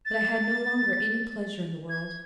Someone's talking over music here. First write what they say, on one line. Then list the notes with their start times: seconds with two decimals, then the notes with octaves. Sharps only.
But I had no longer any pleasure in the world.
0.05 A6
1.89 G#6